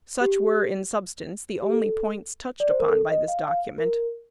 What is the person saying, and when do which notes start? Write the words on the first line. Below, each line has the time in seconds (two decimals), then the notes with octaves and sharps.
Such were, in substance, the only points touched upon by this document.
0.21 G4
1.62 G4
1.70 A4
2.60 D5
2.70 C5
2.80 A#4
2.89 A4
3.09 D#5
3.28 F5
3.48 F5
3.78 A#4